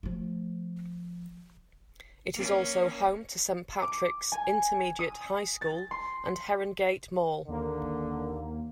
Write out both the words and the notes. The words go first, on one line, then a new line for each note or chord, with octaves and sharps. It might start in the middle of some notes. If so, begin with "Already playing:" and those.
It is also home to Saint Patrick's Intermediate High School and Herongate Mall.
F3 A3
A#3 C#4
D6
G#5
D#6
A6
C6
D#2 D3 A#3